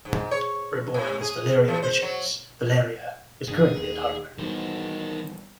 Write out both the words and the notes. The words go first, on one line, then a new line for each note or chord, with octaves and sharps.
Reborn as Valeria Richards, Valeria is currently a toddler.
G#2
C#5
C3
G#4
E3
C5
F#3
G1 F#2 D4 G#4
D#2 D#3 G4
D#3 E3 G3 B3 F#4 C5